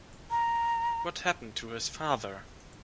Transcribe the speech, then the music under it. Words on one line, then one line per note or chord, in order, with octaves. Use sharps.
What happened to his father?
A#5